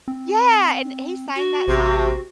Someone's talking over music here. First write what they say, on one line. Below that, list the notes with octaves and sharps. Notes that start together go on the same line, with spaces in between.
Yeah! And he sang that song
C4
F#4
A1 C3